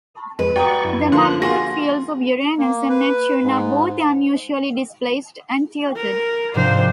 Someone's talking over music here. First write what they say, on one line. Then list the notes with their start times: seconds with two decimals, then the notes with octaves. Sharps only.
The magnetic fields of Uranus and Neptune are both unusually displaced and tilted.
0.39 F2 G#3 B4
0.56 F#4 D5 G5 A#5 C#6 D#6
0.84 F#2 E4
1.12 D3 F3 A#3 C6 F#6
1.42 A#3 F4 F#4 G#4 C6 A#6
2.58 A#3
2.89 B4
3.43 G#2
5.96 A#4
6.54 G#2 C3 F3 D4 C5